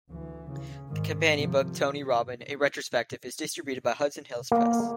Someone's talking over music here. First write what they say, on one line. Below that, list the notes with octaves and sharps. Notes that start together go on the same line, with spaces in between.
The companion book "Tony Robbin, A Retrospective" is distributed by Hudson Hills Press.
D2 E3
C#3
G#2 D#3
C3 F3
A#3